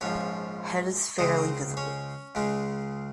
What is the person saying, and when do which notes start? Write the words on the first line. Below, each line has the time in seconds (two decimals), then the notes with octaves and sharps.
Head is fairly visible.
0.01 A#1 G#2 F3 C#4 C#5
1.18 C#2 C#3 G#3 C4 D#4 D#5
1.77 C#4 C#5
2.35 C#2 C#3 G#3 C#4